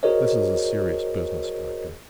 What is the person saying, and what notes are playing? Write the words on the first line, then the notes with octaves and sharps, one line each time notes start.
"This is a serious business, Doctor."
F#4 G#4 A#4 C5 C#5 D#5